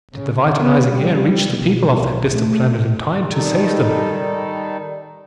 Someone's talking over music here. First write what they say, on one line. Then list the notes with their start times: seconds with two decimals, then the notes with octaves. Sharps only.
Did the vitalizing air reach the people of that distant planet in time to save them?
0.16 C#3
0.60 B3
0.92 G3
1.48 B2
1.97 B1
2.34 A3
3.32 D#3 G3 D#4 A4